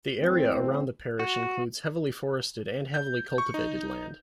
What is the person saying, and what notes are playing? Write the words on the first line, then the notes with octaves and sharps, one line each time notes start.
The area around the parish includes heavily forested and heavily cultivated land.
A2 E3 C4
F#4
G6
C#6
D#4